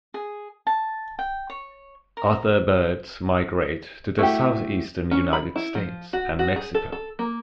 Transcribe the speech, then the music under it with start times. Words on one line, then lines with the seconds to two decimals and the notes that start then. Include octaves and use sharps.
Other birds migrate to the southeastern United States and Mexico.
0.14 G#4
0.67 A5
1.19 G5
1.50 C#5
2.17 A#4
4.19 A3 E4 F#4 G4
5.11 C#4
5.33 B5
5.56 E4
5.75 F3
6.13 F#4
6.39 F#4
6.56 G#4
6.75 A4
6.92 A4
7.19 A#3